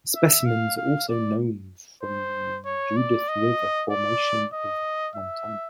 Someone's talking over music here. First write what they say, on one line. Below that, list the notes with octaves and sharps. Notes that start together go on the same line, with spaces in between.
Specimens are also known from the Judith River Formation of Montana.
E5
F5
F5
D5
C5
C#5
D5
D#5
D5
D#5
E5